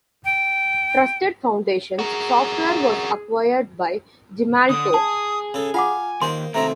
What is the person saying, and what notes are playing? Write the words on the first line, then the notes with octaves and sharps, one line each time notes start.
Trusted Foundations Software was acquired by Gemalto.
G5
F#4 G#4 A#4
D3 D4 D#6
G#4 A5
C#3 A4
F4 F5 F#5 G#5 D6
D#2 A#3 C5 C6
D#2 C3 A3 C4 E5 A#5